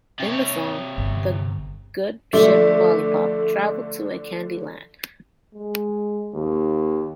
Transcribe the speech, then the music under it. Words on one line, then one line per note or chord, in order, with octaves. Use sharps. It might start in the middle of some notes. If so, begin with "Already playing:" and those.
In the song, the "Good Ship Lollipop" travels to a candy land.
C3 C#5
G1
D3 F3 A3 D4 E5
G#3
D#2